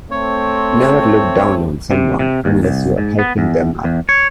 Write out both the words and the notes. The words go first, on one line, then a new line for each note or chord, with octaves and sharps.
Never look down on someone unless you're helping them up.
A3 C4 C#5
C3
C3
D#2
C2
G#2
B3
E2
E2
C#5